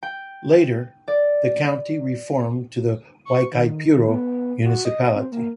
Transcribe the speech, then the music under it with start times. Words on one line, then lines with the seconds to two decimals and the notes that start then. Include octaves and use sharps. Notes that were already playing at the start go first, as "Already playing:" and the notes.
Later the county reformed to the Guaicaipuro Municipality.
0.03 G5
1.08 D5
3.25 C#6
3.52 D#3
4.08 B3
4.65 F#4
4.85 D#5
5.15 C4
5.32 A#3